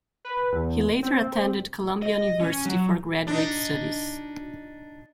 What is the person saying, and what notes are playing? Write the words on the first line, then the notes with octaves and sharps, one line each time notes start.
He later attended Columbia University for graduate studies.
B4
E2
C4
D#5
C#4
F#3
D4 D#4